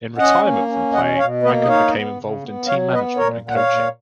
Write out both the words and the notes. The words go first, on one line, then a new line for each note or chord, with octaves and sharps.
In retirement from playing Rackard became involved in team management and coaching.
C#4 D#5 F#5
A#3
C#4
B2 D#5 F#5
B2 C#5 F5
A#3 B4 D#5
D#5
D#4 C#5 F5
B3
C#3
B3
F#3 C#5 F5
B3 B4 D#5
A#2 A#4 C#5
A#2
F#5
C#5 F5
A#2